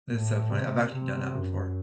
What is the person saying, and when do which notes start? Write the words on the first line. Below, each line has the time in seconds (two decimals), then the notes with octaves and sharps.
That's so funny, I've actually done that before.
0.12 A2
0.52 C3
0.93 C3
1.34 F#2